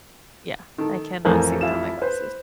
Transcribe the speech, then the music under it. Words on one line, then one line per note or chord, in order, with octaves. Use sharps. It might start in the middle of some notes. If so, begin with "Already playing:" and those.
yeah. I cannot see without my glasses.
D#3 A4
A1 F2 A3 A#4 C5 G#5
E4 F4 E7
B4 C5